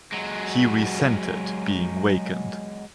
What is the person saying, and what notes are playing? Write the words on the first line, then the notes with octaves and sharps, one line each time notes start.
He resented being wakened.
F#3 G#3